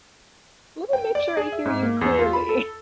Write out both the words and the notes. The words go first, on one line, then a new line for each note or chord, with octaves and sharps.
Let me make sure I hear you clearly.
G5
D5
G#4
E5
G#2
A#3
E2
F4
B5
A4